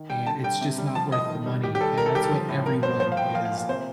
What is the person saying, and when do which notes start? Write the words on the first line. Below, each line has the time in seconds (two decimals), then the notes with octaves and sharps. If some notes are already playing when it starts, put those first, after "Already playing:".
and it's just not worth the money, and that's what everyone is
Already playing: D#3
0.10 G3 G5
0.27 D3 A5
0.44 G3 G5
0.61 C3
0.78 G3
0.95 F3 A5
1.12 A2 D#5
1.29 D#3
1.46 G3
1.63 D#3 G4
1.75 G4
1.81 G3 A4
1.97 D#3 A#4
2.06 A4
2.15 G3 G4
2.24 A4
2.32 F3
2.49 A2
2.66 F3 A#4
2.83 G2 C5
3.00 F3 C5
3.12 F5
3.17 A2 G5
3.34 F3 F5
3.45 F5
3.52 A#2
3.57 F5
3.68 C3 C5